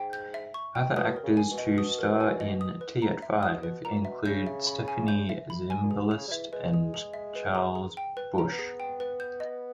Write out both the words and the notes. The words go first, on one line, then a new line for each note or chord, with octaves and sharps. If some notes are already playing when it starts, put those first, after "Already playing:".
Other actors to star in "Tea at Five" include Stephanie Zimbalist and Charles Busch.
Already playing: G#2 G5
G6
E5
C#6
G5
B2 D#6
A#4
C#3
G#5
B2
D#5
D#6
A#4
G#5
D#5
D#6
B4
A#5
E5
B2 D#6
B2 B4
A#2 A#5
A#2
B2 E5
C#3 G6
E5
B5
G#5
G6
E5
B5
G#5
A#2
B2 G#4
C#3 G#4
G3
E3 E5
G#3 B4
G#4
G#4
E5
B4
A#5
G#4
G5
B4
B3 A#5
C#4
B3
G#4
G5
B4
G6
D#5